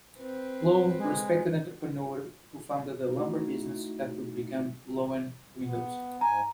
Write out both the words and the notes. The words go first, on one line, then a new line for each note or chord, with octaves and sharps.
Loewen, a respected entrepreneur who founded a lumber business that would become Loewen Windows.
C4 B4
G#3
A3 D#4 E4 F#4
B3
G#2 G#5 A#5